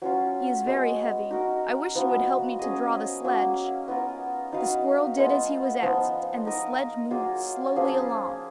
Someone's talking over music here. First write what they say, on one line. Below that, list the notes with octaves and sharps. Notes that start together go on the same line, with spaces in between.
He is very heavy; I wish you would help me to draw the sledge.' The squirrel did as he was asked, and the sledge moved slowly along.
F#3 C#4 F4
G#3 B3 F#4
D#4 F#4 A#4
F3 B3 D#4 F#4
C#4 G#4 D#5
F#3 A#3 C#4
B3 F4 A#4 D#5
D#4 F#4 B4 F5
G#3 B3 F4
F3 B3 D#4
D#4 A#4 D#5
F#3 A#3 F4 G#4
F3 A#3 C#4 G#4